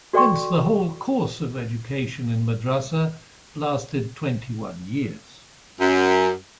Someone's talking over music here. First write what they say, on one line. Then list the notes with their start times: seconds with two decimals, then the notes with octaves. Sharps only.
Hence, the whole course of education in madrasah lasted twenty-one years.
0.13 F#4 A4 D5 G5 C6 C#6
5.80 F#2